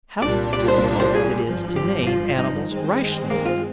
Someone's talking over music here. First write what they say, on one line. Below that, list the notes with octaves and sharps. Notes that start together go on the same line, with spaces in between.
How difficult it is to name animals rationally!
C2 A#2 G3 D4 D5
D5
C5
C5
G#4
G#1 G2 F3
G4
F4
D#4
G2 D#3 G#3 C4
A#3
F4